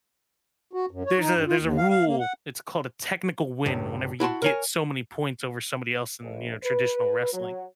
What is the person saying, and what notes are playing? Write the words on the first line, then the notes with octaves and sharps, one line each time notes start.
there's a there's a rule, it's called a "technical win" whenever you get so many points over somebody else in, you know, traditional wrestling.
F#4
F#2
C#5
D#4
G2
F4
D#2
F5
F5
A#3
F#5
C#2 G2
E4 F#4 A5 C6
A#4 C#5 G#5
A#1
B4
F#3